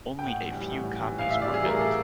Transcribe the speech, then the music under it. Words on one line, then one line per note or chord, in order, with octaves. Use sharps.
Only a few copies were built.
G5
A2 F#5
E3 G3
A2
E3 G3
A2 F5
E5
E3 G3 D5
G#4
A2 A#4
A4